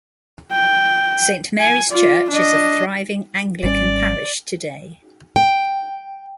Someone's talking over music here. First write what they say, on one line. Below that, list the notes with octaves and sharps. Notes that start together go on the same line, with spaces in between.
Saint Mary's church is a thriving Anglican parish today.
G5
G#5
F4 D5
D4 D#5
G#1 G3 C#4 D5
G5